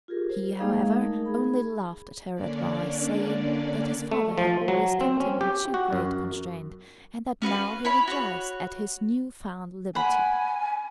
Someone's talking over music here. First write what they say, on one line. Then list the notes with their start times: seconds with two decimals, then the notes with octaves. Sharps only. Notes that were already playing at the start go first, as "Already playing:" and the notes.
He, however, only laughed at her advice, saying, that his father had always kept him in too great constraint, and that now he rejoiced at his new-found liberty.
0.08 F4 G4 G#4 A#4
0.30 C5
0.59 G#3 A#3 D#4 G#4 D#5 F5
1.01 A3 D#4 A#4
1.25 G#4 B5
2.34 D3 A#3 C#4 D4 D5
4.11 A3
4.38 F3
4.68 F#3
5.01 C4
5.20 C#4
5.41 G4
5.74 F#4
5.93 F#2
7.42 C#4 F#4 B4 F5
7.85 E4 C#5 B5
8.07 F#4 C#5
9.95 F#5 G#5 B5